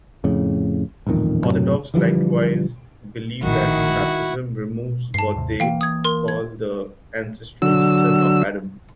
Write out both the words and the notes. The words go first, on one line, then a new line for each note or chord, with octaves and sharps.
Orthodox likewise believe that baptism removes what they call the ancestral sin of Adam.
F2 A2 C#3
D#1 A1 F2 D#3
F#2 A2 C3 F#3
D3 E3 F3 G3
A#1 A2 D#3 E4 F#4
G2 A5 C7
D#2 G#2 C3
E3 A#3 F5 G5
D#6 G#6
A#4 C6
G#6
D3 F#3 E6